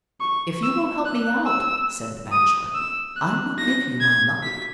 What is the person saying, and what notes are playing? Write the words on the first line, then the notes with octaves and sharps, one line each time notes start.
"If you will help me out," said the Bachelor, "I will give you my luck."
C#6
E6
F#6
E6
D#6
E6
F#6
A#6
G#6
B6